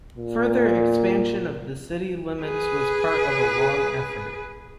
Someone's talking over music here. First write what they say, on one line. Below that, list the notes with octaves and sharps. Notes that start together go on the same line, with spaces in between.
Further expansion of the city limits was part of a long effort.
A#2
G#4 B4